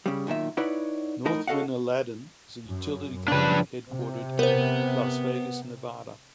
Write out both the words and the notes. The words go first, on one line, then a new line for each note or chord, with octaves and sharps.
Northwind Aladdin is a utility company headquartered in Las Vegas, Nevada.
C#3 G3
B1 A#2 D#3 E5
D#4 E4 B4 C#5 D5 F#5
F2 A2 D#4 A#4 D#5 B5
F#4 A4 D#5 F5 F#5
F#2
C#3 F3 D4 B4
C3
B3 A#4 C5